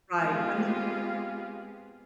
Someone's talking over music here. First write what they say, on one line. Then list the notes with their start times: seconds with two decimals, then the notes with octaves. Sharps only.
Right. I mean
0.20 G#3 B3 C4 F4 G4 G#4